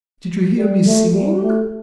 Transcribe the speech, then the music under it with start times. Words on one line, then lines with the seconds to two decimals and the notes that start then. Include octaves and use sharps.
"Did you hear me singing?"
0.58 G3
0.86 A3
1.14 G3
1.42 A3